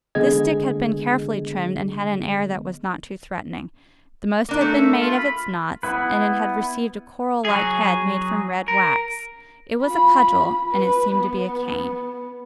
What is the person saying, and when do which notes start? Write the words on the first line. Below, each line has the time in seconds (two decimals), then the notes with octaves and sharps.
This stick had been carefully trimmed, and had an air that was not too threatening; the most had been made of its knots, and it had received a coral-like head, made from red wax: it was a cudgel, and it seemed to be a cane.
0.15 D3 G#3 B3 G#4 D#5 G#6
4.49 A#3 D4
4.61 A3 A#3
4.73 E5
5.01 F4
5.18 B5
5.83 B3 E4 B4
7.45 F#3 G#4
8.68 A#4
9.82 F4 B5
10.67 B4 B5
11.16 B3